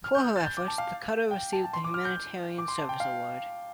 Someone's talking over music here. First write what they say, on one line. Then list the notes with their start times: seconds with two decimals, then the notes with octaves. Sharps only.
For her efforts, the cutter received the Humanitarian Service Award.
0.04 F6
0.15 G6
0.36 A6
0.46 G6
0.57 D6
0.68 A5
0.78 F5
1.31 G5
1.53 A5
1.64 A5
1.73 C6
1.84 D6
1.94 F6
2.05 G6
2.58 D6
2.68 C6
2.79 A5
2.89 G5
3.00 F5